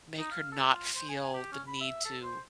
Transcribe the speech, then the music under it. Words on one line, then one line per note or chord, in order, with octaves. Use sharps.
make her not feel the need to
D#4
F5
A4
F4
C5
G#5
G4
C#4
B5
E5
A4
C5